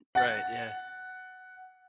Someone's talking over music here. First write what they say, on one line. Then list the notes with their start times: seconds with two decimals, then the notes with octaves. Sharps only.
Right. Yeah.
0.15 F#5 A6